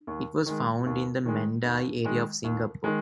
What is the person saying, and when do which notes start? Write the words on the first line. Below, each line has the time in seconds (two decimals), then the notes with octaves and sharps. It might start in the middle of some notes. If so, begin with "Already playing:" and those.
It was found in the Mandai area of Singapore.
0.07 D#2
0.46 D#3 G#3
0.86 D#2
1.26 D#3 G#3
1.65 D#2
2.04 D#3 G#3
2.44 D#2
2.84 D#3 G#3